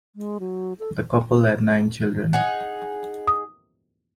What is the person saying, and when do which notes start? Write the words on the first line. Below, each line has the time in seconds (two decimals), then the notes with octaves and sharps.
The couple had nine children.
0.16 G#3
0.40 F#3
0.79 A4
2.33 D#4 G#4 F#5
3.27 D#6